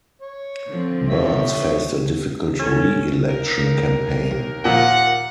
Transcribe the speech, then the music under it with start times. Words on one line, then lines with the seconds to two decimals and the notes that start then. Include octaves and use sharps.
Burns faced a difficult re-election campaign.
0.22 C#5
0.69 D3 F3 C4
1.10 C#5 E5
2.60 D2 C#4 A4
3.28 D#2 A#4
4.65 A#2 F3 F#5